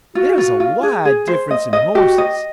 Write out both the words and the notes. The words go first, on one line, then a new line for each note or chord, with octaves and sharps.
There is a wide difference in horses.
F4 F#4
F4
F4
G#4
G#4
C5
D#5
D#5
F#4 G4
D#5